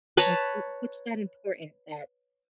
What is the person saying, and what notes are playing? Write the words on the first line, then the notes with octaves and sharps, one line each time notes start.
Like, wh what's that important that
B4 C#5 A5 A#5